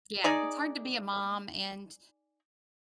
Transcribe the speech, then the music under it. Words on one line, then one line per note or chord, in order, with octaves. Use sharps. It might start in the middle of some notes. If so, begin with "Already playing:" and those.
Yeah, it's hard to be a mom and
D#4 G#4 D5